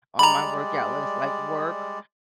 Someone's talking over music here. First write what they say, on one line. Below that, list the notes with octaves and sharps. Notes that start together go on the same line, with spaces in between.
on my workout list, like, Work,
G3 G#3 D5 A#5 B5